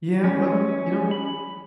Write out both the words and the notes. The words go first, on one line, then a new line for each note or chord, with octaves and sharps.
Yeah. Well, you know,
C#4
B5